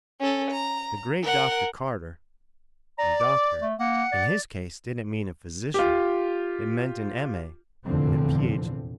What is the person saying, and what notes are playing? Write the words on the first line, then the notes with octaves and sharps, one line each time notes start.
The great Dr. Cotter--and 'Dr.' in his case didn't mean a physician, it meant an M. A. and a Ph.
C#4 A4
A#5
A#4 F#5
D5 A#5
D6
A3
A#3 F#5
D5
F4 G4
F1 A#1 E2 D3 F3 C4